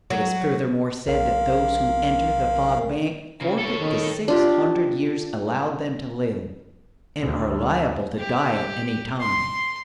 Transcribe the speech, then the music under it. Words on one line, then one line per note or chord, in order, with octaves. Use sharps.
It is furthermore said that those who enter the Fog Bank forfeit the six hundred years allowed them to live, and are liable to die at any time.
F#3
B1 A#4 F5
C#3
A4 C#5
D#3
D4 F4 G4
D2
G4
C6